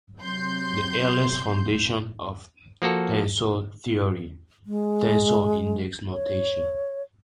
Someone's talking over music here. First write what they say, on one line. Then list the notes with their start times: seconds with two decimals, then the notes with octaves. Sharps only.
The earliest foundation of tensor theory - tensor index notation.
0.19 C3 F#3 C6 G6
2.82 F3 A#3 F#4 A4
4.66 G#3
6.12 C#5